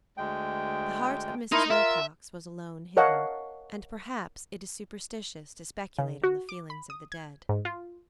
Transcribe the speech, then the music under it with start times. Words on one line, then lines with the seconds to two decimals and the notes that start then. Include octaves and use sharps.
The heart of Mrs. Wilcox was alone hidden, and perhaps it is superstitious to speculate on the feelings of the dead.
0.17 D2 G#3 G5
1.52 D#4 E4 A#4 C6
1.71 F4 A#4 E5
2.97 A#4 C#5 D#5 F5 F#5 A5
5.99 C#3
6.24 F#4
6.49 D6
6.70 B5
6.90 D#6
7.12 G#6
7.49 G#2
7.65 F4